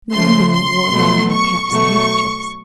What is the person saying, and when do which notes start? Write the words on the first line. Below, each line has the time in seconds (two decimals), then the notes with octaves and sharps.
The women wore long-eared caps and handkerchiefs.
0.12 C#3 F3 A3 C6
0.51 C6
0.92 B2 F#3 A3
1.31 C#6
1.70 B2 F#3 A3 C#6